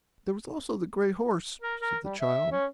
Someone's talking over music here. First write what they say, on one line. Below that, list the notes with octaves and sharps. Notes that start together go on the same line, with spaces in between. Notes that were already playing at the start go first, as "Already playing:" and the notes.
"There was also the grey horse," said the child.
A#4
A#4
G3
E5
C#4